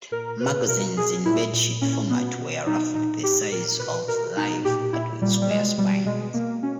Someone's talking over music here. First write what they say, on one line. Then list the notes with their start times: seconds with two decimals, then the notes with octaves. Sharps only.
Magazines in bedsheet format were roughly the size of "Life" but with square spines.
0.11 A#2 A#4
0.40 B2 B4
0.68 B2 A#4
0.97 B2 G#4
1.25 A#2 E4
1.53 A#2
1.81 A#2 C#4
2.10 B2 B3
2.38 B2
2.67 B2 D#4
2.94 A#2 D#4
3.23 A#2 G4
3.51 A#2 A#4
3.79 B2 B4
4.08 B2 A#4
4.37 B2 D#4
4.64 A#2 G4
4.93 A#2 E4
5.22 A#2 G3
5.42 G3
5.50 B2 G#3
5.78 B2 G3
6.06 B2 G#3
6.34 B2 A#3
6.63 B2 C#4